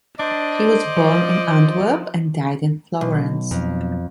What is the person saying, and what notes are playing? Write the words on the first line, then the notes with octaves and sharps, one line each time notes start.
He was born in Antwerp and died in Florence.
D4 C5 D5 D#5
F3
B1
F2